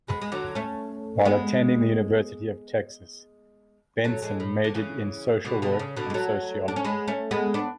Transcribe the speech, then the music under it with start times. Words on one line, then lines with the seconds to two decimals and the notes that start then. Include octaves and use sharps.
While attending the University of Texas, Benson majored in social work and sociology.
0.08 G#3 B3
0.22 G#3
0.32 D3 F#3
0.55 A3 C#4
1.25 G#3 B3
4.04 F#3 A3
4.22 E3 G#3
4.40 A2
4.64 D3
4.75 C#3 E3
5.45 B2 D3
5.62 B2 D3
5.79 C#3
5.96 B2 D3
6.10 G#3
6.14 F#3 A3
6.68 D4
6.76 C#4
6.85 G#3 B3
7.08 A3 C#4
7.31 G#3 B3
7.54 B3 D4